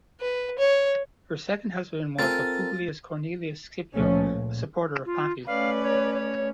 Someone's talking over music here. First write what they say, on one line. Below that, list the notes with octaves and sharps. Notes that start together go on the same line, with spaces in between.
Her second husband was a Publius Cornelius Scipio, a supporter of Pompey.
B4
C#5
C4 F4 A4 A#4 G#5 A6
C#2 A#2 F3 A3 C#4
A#2
F4
A3 C#4 B4 D5 F5
C#5
C#5